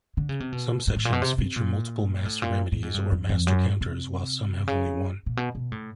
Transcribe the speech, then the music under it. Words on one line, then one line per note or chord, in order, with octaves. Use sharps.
Some sections feature multiple master remedies or master counters, while some have only one.
D3
C#3
C3
B2
G#2
A2
A#2
B2
C3
C3
A#2
A2
A#2
A2
G#2
G2
F2
F2
F#2
C3
C#3
A#2
B2
B2
A2